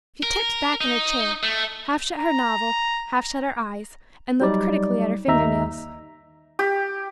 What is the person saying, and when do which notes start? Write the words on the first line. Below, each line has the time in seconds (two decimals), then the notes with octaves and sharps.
She tipped back in her chair, half shut her novel, half shut her eyes, and looked critically at her finger-nails.
0.23 A#4
0.81 D#4
1.43 A3
2.18 A#5
4.41 F#3 G3 D#4 D5
5.27 G1 D#2 D#4 E5 A#5
6.59 G4